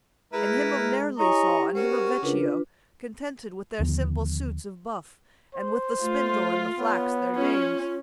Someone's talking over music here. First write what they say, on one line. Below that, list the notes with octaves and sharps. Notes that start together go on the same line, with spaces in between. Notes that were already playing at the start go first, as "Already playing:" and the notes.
And him of Nerli saw, and him of Vecchio, Contented with their simple suits of buff And with the spindle and the flax their dames.
G#3 E4 G#4 A#4 B4
E4 G4 C#5 D#5 G#5 A#5 C#6
C#4 F#4 A#4 C5
C#3 D4 F4 A#4 B4
D#2 D3 F3 B3
C5
A3 F4
B3 C#5
C#4 F4